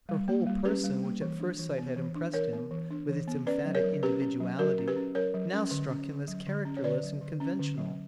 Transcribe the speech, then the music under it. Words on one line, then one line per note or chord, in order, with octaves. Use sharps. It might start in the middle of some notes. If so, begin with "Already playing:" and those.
Her whole person, which at first sight had impressed him with its emphatic individuality, now struck him as characterless and conventional.
G3
A#3
G3
C#4 G4 B4
G3
A#3
E3
D4
E3
B3
E3
D4
E3 A#4 C#5
B3
E3
D4
E3
B3
C#4 B4 D5
F#3
A#4 C#5
F#3
C#4 G4 B4
C#4
F#3
F#3 F#4 A#4
C#4
G4 B4
C#4
F#3 A#4 C#5
F#3
C#4
D3
C#4
D3
F#3
D3
C#4
C#5
D3 B4 D5
F#3
D3
C#4
D3
F#3